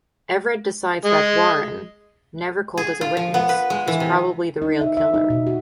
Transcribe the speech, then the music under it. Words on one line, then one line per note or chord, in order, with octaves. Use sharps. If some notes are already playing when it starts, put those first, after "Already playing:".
Everett decides that Warren, never called as a witness, is probably the real killer.
G#3
G#4
F4
F3
B3
B4
G#3
E3
C3
D#4
E5
E5
D#4
B2
F#4